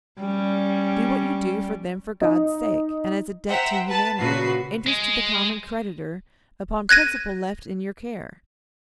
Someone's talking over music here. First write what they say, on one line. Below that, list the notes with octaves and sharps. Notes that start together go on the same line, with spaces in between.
Do what you do for them for God's sake, and as a debt to humanity--interest to the common creditor upon principal left in your care.
G3 C#4
D#4
C5 E5 F#5 G5 A#5
B4 A5
A#2 C#3 F#4 B4 C7
G#3
F#6 G#6 A#6 D#7